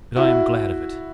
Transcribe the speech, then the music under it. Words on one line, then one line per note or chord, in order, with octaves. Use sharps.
But I am glad of it.
E4 F#4